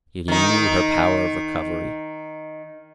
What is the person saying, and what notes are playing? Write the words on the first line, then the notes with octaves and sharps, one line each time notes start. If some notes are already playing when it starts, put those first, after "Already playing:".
Yet he knew her power of recovery.
D#3 D#4